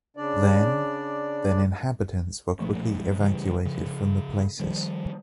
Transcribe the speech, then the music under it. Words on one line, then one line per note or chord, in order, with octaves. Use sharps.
Then, then inhabitants were quickly evacuated from the places.
C#3 D4 D5
B1 A#2 F3 A3
A#1 F#2 G#3
C#3 E3 G3
C#3 F3
D#3 F3 G3